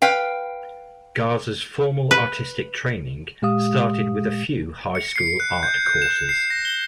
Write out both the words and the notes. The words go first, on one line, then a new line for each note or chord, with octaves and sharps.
Garza's formal artistic training started with a few high school art courses.
B4 F5 G5
B4
A#2 G#3 G4 F5 D#6
C#7
C7
F#6
G6
G6
E7
C7
A#6
G7